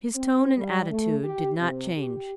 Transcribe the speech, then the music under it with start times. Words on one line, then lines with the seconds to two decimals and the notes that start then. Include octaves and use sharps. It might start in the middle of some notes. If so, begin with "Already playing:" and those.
His tone and attitude did not change.
0.15 C4
0.57 G3
0.90 A3
1.23 G4
1.59 C3
1.97 G4